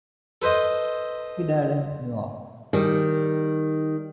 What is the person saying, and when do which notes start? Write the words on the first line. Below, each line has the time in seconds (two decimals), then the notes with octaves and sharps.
He died in New York.
0.42 A4 B4 C5 D#5
2.73 D#3 G3